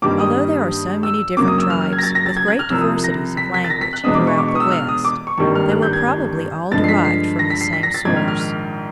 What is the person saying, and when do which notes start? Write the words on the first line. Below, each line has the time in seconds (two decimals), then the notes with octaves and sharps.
Although there are so many different tribes, with great diversities of language, throughout the West, they were probably all derived from the same source.
0.02 G2 D#3 G3 A#3 C#4 D6
0.20 D#6
1.03 E6
1.37 F#2 C#3 F#3 A#3 C#4 D6
1.48 D#6
1.58 E6
1.70 F6
1.81 F6
1.93 G#6
1.98 A#6
2.03 A6
2.15 A#6
2.26 A6
2.37 G#6
2.48 F#6
2.59 F6
2.70 C2 C3 F3 E6
2.81 D#6
3.04 A#6
3.37 B6
3.54 B6
3.64 A6
3.70 A#6
3.81 B6
3.93 F#6
4.04 E2 B2 G#3 B3 D4 D#6
4.15 D6
4.27 C#6
4.38 D6
4.48 C#6
4.55 D#6
4.60 E6
4.71 F6
4.88 D#6
5.05 D6
5.27 C#6
5.38 G#1 G2 D#3 G3 A#3 C#6
5.55 F6
5.71 F#6
5.82 G6
5.93 G#6
6.71 G2 D3 F3 G#3 A6
6.84 C7
6.89 B6
7.05 C7
7.39 A#6
7.50 B6
7.61 C7
7.73 B6
7.83 A#6
7.94 A6
8.05 A#1 G#2 D#3 G#6
8.16 F6
8.28 F6
8.39 F6